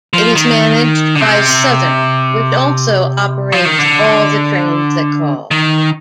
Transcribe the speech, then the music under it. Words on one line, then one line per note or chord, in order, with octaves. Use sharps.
It is managed by Southern, which also operates all the trains that call.
F3
D#3
D3
C3
F3
D#3
D3
D#3